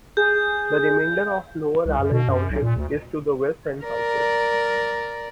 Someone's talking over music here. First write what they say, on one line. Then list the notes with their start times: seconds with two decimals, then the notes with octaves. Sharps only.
The remainder of Lower Allen Township is to the west and southwest.
0.17 G#4 G6
1.86 C2
1.99 F#2
2.12 B2
2.29 F#2
2.50 B1
2.62 A#2
2.77 D2
3.84 A#4 D5